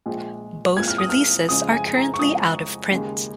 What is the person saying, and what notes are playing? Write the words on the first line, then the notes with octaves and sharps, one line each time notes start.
Both releases are currently out of print.
A#1 A#2 G#3
A#1 A#2 G#3 G#6
F6
D#6
F6
F2 C#3 G#3 D#6
G#5
G#5
A#5
C#6
F2 C#3 G#3 D#6
D#2 C#3 G#3